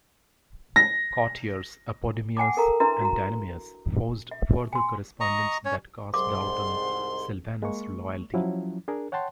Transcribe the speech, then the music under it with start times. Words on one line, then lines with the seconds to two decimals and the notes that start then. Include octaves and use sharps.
Courtiers Apodemius and Dynamius forged further correspondence that cast doubt on Silvanus' loyalty.
0.76 A#6
2.37 F#5 G#5 A5 D6
2.57 A4 A#4 F5 A5 A#5
2.80 D4 E4 B4 E5 A#5 C6
3.01 F#4 A#5
4.31 E5
4.73 G#5 C6
5.21 D#5 A#5 C#6
5.65 C#4 C#5
6.14 C2 G#2 C6 D6
7.63 G#3 A#3 C#6
8.34 F3 F#3 C#4 E4
8.88 D4 G#4 A#4
9.12 C#5 F#5 G5 A5 C6